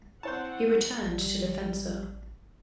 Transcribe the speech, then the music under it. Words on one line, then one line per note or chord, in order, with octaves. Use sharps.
He returned to Defensor.
C4 E4 C5 C#5 F#5 A5
A1 G3